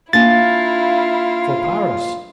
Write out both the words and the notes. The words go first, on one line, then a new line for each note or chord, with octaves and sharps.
"For Paris."
A#3 D4 E4 F4 F5 G#5 A6